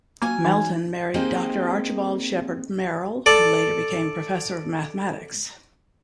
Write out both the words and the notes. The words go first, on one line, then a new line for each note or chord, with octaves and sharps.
Melton married Doctor Archibald Shepard Merrill who later became Professor of Mathematics.
F#3 A#3 C#4 G#5
E3 D#4
A#3 C4 D#4 G4 G#4 D#5
A4 D5